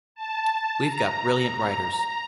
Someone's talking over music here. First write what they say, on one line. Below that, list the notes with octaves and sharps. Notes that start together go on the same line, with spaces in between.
We've got brilliant writers.
A5
A5
A#5